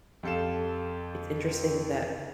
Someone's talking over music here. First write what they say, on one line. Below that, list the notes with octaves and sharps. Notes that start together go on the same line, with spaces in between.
it's interesting that
F2 G4 A4 F5 E7